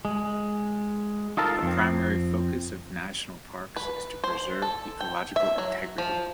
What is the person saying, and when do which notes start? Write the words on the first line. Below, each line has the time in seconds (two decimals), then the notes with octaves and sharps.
The primary focus of national parks is to preserve ecological integrity.
0.05 G#3
1.37 D#4 F4 A4 A#4
1.63 F2 C4
3.76 B4
4.24 C5
4.62 A4
5.01 G5
5.36 E5
5.58 F#3
5.98 F3